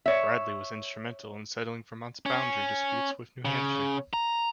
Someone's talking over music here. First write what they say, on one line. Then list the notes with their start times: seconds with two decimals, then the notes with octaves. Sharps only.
Bradley was instrumental in settling Vermont's boundary disputes with New Hampshire.
0.06 C#5 E5
2.26 C#4
3.45 C#3
4.13 A#5